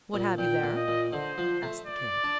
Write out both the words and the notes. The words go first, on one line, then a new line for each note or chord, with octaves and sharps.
"What have you there?" asked the king.
A#2
A#2 G5
A#2
D#5
A#2
D3 C5
F3
A3
D5
D4